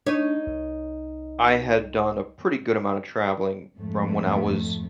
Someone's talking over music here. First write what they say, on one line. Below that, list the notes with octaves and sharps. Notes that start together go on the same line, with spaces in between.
I had done a pretty good amount of traveling from when I was
D4 D#4 C#5
C2
F2 G#2 A3